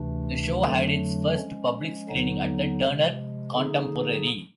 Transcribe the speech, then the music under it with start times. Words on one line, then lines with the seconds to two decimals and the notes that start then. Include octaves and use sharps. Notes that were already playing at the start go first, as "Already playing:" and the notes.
The show had its first public screening at the Turner Contemporary.
Already playing: D2 C3 E3 A3 D4
0.64 F2 D3 F#3 A3 D4
1.37 F3 G#3 C#4
2.09 D#2 D3 F#3 B3 D#4
2.81 C3 F3 G#3
3.53 D3 F3 A#3 D#4 G#4